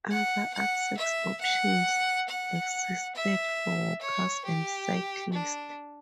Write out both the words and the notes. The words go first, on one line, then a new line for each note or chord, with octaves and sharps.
Other access options existed for walkers and cyclists.
F#5
F#5
E5
F#5
F#5
E5
C#5
G4
D4